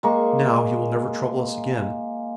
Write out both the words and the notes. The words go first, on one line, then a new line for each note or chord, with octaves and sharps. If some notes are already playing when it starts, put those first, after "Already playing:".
Now he will never trouble us again.
G#3 A#3 C#6